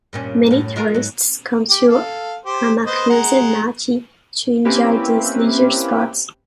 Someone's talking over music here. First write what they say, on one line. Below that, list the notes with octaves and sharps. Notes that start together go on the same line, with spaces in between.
Many tourists come to Amakusa-machi to enjoy these leisure spots.
G2 A#2 C#4
F#2 A2 C#5
G#3 F4 A#4
G#2 F#3
G4
A4 F5
G4 C5
B3 C5 D#5
G#3 F#5 A#5
A#3 C4 C#4 E4 G4 B4